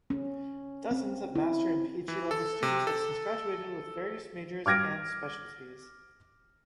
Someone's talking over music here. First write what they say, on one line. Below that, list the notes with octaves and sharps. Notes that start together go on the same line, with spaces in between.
Dozens of Master and Ph.D-level students have since graduated with various majors and specialties.
C#4
C4
E4
E3
A4
C3
A4
D6 F6 G#6 A#6 D7